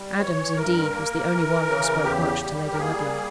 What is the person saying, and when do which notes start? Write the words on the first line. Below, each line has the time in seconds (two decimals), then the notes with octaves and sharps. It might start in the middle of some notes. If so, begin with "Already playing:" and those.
Adams, indeed, was the only one who spoke much to Lady Ludlow.
Already playing: G3
0.19 E3 C#5
0.56 G2 A#4
0.93 A#3
1.31 E3
1.67 C#3
2.04 E2 G4
2.41 G3
2.73 A#4
2.78 A#3 G#4